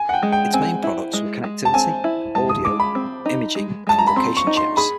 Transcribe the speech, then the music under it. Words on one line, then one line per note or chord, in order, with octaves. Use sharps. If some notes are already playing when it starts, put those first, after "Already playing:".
Its main products were connectivity, audio, imaging and location chips.
Already playing: G#5
F#5
G5
G#3
G5
C4 G#5
E4
G#3
G#3
A5
C4 G#5
E4
G#3 A5
D#6
G#3 D6
B5
C4
D#4
G#3
G#3 A5
A#5
B5
C4 C6
C#6
D#4
C6
G#4 B5